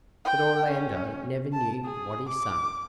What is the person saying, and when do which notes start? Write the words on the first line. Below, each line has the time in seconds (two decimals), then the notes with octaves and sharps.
But Orlando never knew what he sang.
0.25 G5
0.71 C#4
1.53 A5
1.85 G#4
2.29 D6